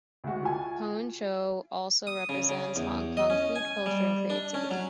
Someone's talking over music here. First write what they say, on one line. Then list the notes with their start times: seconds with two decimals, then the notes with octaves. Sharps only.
Poon choi also represents Hong Kong's food culture and creativity.
0.24 D2 G#3 F#4
0.43 F4 G#5
2.07 D#6
2.29 C#3
2.49 C#3
2.76 E2
3.17 D#5
3.30 C#4
3.56 G#5
3.86 G3
4.30 D4
4.54 C#4
4.71 F#3